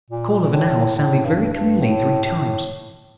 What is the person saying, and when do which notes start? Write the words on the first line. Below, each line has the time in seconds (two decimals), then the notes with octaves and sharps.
The call of an owl sounded very clearly three times.
0.11 A#2
0.42 A#2
0.54 A2
0.96 A2
1.25 G2
1.53 G2
1.82 A2
2.24 A2